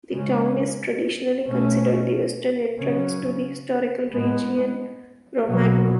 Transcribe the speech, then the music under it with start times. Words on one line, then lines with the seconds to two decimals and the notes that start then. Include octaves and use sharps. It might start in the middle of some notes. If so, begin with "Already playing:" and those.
The town is traditionally considered the western entrance to the historical region Romagna.
0.12 C#3 G#3 C#4
1.45 B2 A3 C#4
2.79 C#3 F#3 C#4
4.12 A2 G#3 B3
5.45 B2 F#3 B3